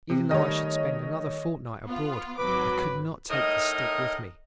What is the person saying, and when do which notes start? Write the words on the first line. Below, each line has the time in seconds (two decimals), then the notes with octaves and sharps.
Even though I should spend another fortnight abroad I could not take this stick with me.
0.10 C3
0.31 D#3 G3 A3 C#5 D#5
1.86 B3 F4
2.39 G#1 F#3 B4 D6
3.30 A2 D#4 A#4 D#5